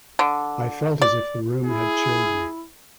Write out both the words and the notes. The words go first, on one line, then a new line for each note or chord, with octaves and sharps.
I felt as if the room had chilled me.
D3
D5
E4 G#4